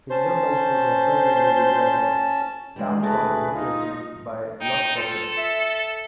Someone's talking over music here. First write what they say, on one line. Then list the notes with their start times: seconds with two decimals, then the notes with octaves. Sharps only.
Fingerbobs was referenced in the video of "A Town Called Hypocrisy" by Lostprophets.
0.11 C#4 C5 A5
2.76 G2 E3 G3 G#3
3.02 D2 A3 G#4 A#4 B4 A5
3.54 D#4 F4
4.61 D#4 G5
4.96 F4 A4
5.37 E5